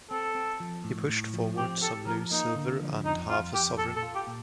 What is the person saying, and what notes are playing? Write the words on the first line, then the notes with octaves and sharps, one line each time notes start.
He pushed forward some loose silver and half a sovereign.
C4 A4
C4
F3
A2
A2
F3
C4 G4
G4 A4
F3 A#4
A#3 D#4
D3
F3
F2 D#4
F2 F4
F2 G4
A#2 A4
A4
F4
G4
A#2